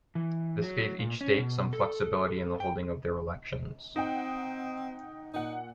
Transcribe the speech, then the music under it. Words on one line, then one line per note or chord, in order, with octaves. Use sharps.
This gave each state some flexibility in the holding of their elections.
E3
F#3
A#2
C#4
B2
A4
G5
C4 D#4 F#5 G5
A#2 D#4 F#5